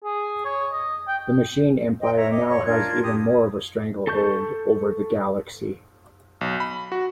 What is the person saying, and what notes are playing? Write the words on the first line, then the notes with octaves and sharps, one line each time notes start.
The Machine Empire now has even more of a stranglehold over the Galaxy.
G#4
C#5
D#5
G5
C5 D#5 G5
C#5 E5 A#5
D#5 D6
C#5 C#6
D4 F4 A#4 G#6
G4 D#6
A4 A5 C#6 G6
B1
B5
F#4